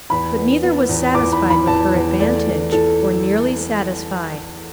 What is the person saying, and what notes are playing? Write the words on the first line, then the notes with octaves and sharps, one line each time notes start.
But neither was satisfied with her advantage, or nearly satisfied.
E2 B5
B3
B3
E2
E2 D6
B5
E3
B5
E2 A5
E2
A3 D5
E3
E3 A4